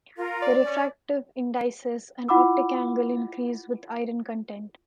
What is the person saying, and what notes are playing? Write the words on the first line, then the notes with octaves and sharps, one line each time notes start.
The refractive indices and optic angle increase with iron content.
F4 A#4
D5
C#4
E4 F4 F#5 B5 D6 E6